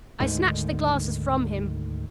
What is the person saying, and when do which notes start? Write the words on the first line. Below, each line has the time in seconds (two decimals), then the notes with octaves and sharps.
I snatched the glasses from him.
0.20 D2 G#2 D3 D#3